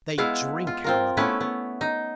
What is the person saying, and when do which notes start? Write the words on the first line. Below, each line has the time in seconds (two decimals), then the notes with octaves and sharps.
They drink, however.
0.18 G#3 B3 E4 F5
0.67 F4
0.84 C4 F4 A#4
1.17 A3 B3 C#4 E4 B4
1.41 B3
1.81 D#4